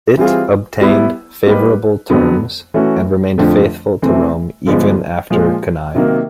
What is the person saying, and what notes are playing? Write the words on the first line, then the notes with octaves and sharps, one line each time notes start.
It obtained favourable terms, and remained faithful to Rome even after Cannae.
E3 G3 C4 F4 G#4
G3 B3 E4
G3 A#3 D#4 G4 B4
F2 D3 F#3 B3
E3 A3 C#4 F#4
F2 D3 F3 A3 D4
C3 E3 A3 C4
G2 D3 F3 G#3 B3
A#2 F3 G#3
C3 D#3 F#3 A#3